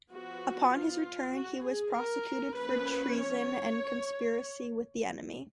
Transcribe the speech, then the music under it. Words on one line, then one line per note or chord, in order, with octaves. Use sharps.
Upon his return, he was prosecuted for treason and conspiracy with the enemy.
F3 B3 F#4
F4
F#4
G#4
A#4
F3 A#3 C#4 B4
C#5